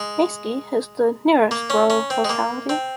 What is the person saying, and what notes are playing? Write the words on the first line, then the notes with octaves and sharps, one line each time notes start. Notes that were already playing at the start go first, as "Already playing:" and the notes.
Maysky is the nearest rural locality.
Already playing: G#3
A#3
C#4
C#4
C4
G#3
A#3
C4